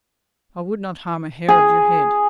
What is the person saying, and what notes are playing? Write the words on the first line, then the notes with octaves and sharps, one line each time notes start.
I would not harm a hair of your head.
G#4